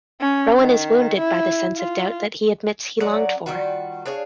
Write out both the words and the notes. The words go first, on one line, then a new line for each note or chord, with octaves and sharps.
Rowan is wounded by the sense of doubt that he admits he longed for.
C#4
D#3
E4
F4
F#3 C#4 D5 F#5
D#3 G3 F4 F#4
D4 G#4 C#5 F5